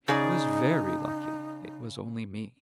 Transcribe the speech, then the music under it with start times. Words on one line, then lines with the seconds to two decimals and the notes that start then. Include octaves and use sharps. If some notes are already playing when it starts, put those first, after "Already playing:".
It was very lucky it was only me.'
0.08 C#3 D#4 G#4 D5